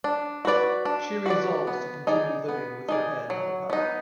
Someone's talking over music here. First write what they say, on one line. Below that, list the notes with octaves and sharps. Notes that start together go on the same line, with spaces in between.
She resolves to continue living with her head held high.
D4
F#4 B4 D5
D4
F#4 B4 D5
B3
D#4 G#4 D5
B3
D#4 G#4 D5
F#3
B3 D#4